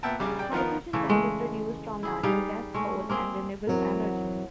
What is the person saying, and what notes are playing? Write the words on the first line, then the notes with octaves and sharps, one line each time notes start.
Hydrogen can be produced from natural gas, coal and renewable energy.
A#2 B3 E5 G5 A5
A#1 C#3 G3 D6
D5 G5
D#3 F3 B3 F4 A#4
C#3 E3 A3
G#3 A3
E4 G#4
G3 D#4 G#4 F5
G#3 A3 C#4
A#3 C4 G#4
E2 F#3 C4 A#4